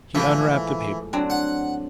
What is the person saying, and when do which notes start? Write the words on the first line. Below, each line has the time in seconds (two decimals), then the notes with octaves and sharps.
He unwrapped the paper.
0.15 A2 E3 F3 G#3
1.13 F#3 C4 D4
1.30 F#5